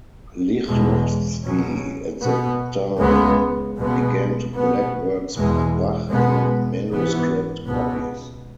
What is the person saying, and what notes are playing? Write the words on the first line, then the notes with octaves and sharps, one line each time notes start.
Lichnowsky at the time began to collect works by Bach in manuscript copies.
E2 B2 G#3
C#2 B2 F#3 C#4
B2 B3
C#2 C#3 G#3 B3
C#2 B2 G#3 B3
B2 B3
E2 B2 G#3
B2 G#3 B3
G#2 E3 B3
C#2 B2 B3